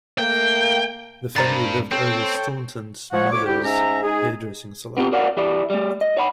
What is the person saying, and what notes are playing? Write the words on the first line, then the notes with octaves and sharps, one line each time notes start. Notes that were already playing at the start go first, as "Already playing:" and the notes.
The family lived over Staunton's mother's hair dressing salon.
A3 A#3 G5
G2 A#4 C5 A#5 A6
C4 A4 C#5 G5
F3 G#3 C#5 F#5
D2 A3 C#5 D6
D2 E4 G4
G#2 C#4 E5 A#5
G#3 D#4 G#4
B3 C4 F4 G4
F#4 A#4 C#5 D5 F5 F#5
E3 E4 G4 D5
G3 A3
D#5
C#5 F#5 B5